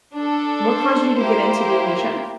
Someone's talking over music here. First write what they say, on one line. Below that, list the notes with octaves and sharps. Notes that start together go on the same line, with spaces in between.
what caused you to get into being a chef?
D4 A4
C5
A#3 E4 G4 C5